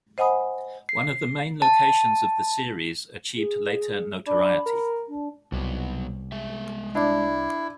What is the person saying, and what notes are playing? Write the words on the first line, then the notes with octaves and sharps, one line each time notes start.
One of the main locations of the series achieved later notoriety.
C5 D#5 F#5 G#5 B5 D#6
C7
A5
G#4
D4 B5
A#4
D4
C2 B2 F#3 B3
G#3 E5
D4 E4